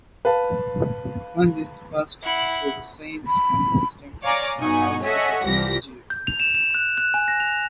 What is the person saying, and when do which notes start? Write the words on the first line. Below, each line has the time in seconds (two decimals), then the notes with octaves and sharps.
When this is passed through the same smoothing system, the output is zero.
0.25 B4 F5 A5
2.22 E4 F#5
3.27 B5
4.23 C#5 D5 F5 G#5 A#5 D6
4.59 G2 B2 D#4 F#5 G#5 C#6
5.03 A4 C#5 D#5 E5 F#5 G#5
5.44 C2 E3 F3 G4 A#6
6.10 G6
6.27 F7
6.40 E7
6.55 E7
6.75 F#6
6.98 F#6
7.14 G#5
7.28 A#6
7.40 F7